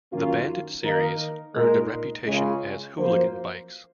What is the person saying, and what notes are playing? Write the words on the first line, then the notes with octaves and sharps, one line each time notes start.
The Bandit series earned a reputation as "hooligan bikes".
F#2 D#3 A#3 C#4 F4
D#3 A#3 D#4 A#4
A#2 G#3 D#4 A#4
C#2 C#3 G#3
F#2 F3 A#3 F4 C5